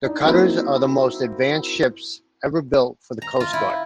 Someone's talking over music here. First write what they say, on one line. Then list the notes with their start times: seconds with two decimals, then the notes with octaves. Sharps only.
The cutters are the most advanced ships ever built for the Coast Guard.
0.04 D4 D#4
0.24 F#3 A#3 C4 D#4 E4
3.22 A#5
3.40 F4
3.53 E4